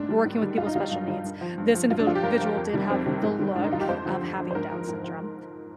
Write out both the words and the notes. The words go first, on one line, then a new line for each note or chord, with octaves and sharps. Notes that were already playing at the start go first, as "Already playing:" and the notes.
working with people with special needs, this individual did have the look of having Down syndrome
Already playing: G#2 D4
D#3 G3
G#2
D#3 G3
G2 F4
D#4
D#3 G3 F4
G2
D#3 G3
G2
F3
G2
F3
G2 F4
D4
F3 F4
G4
G2 A#4
F3
F2
C3 D#3 G3
F2 C4
C3 D#3 G3
G#2
D#3 G3
G#2 D4
D#4
D#3 G3 F4
G4
F2 C5
D3 F3
F2
D3 F3
C5
G#2 A#4
F3
G#2
F3